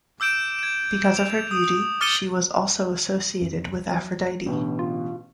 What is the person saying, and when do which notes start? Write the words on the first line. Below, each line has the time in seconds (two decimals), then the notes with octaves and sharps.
Because of her beauty she was also associated with Aphrodite.
0.20 D6 E6 G6 D7 E7
0.59 G#6 E7
1.17 F7
1.51 D#6
2.01 D6 F6 A6 C#7 D#7 G7
3.42 F2
3.91 F#3
4.46 A1 B2 D3
4.79 F4